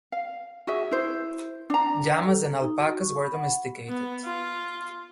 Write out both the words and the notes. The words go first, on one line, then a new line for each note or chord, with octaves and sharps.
Llamas and alpacas were domesticated.
F5
F#4 G#4 E5
E4 C5
D4 A#5
A4
A#5
D#4
F#4
C#6
B5
F#5
B3
F4